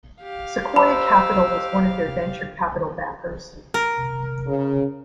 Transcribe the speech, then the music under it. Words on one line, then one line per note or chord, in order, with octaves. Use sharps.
Sequoia Capital was one of their venture capital backers.
G4 F5
C5 D#5 A#5 B5 E6
A#4
C#3